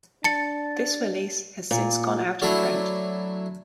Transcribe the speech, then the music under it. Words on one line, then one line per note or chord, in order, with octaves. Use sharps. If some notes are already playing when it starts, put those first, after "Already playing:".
This release has since gone out of print.
D4 A5 A6 C#7
A#2
F#3 A3 D4 E4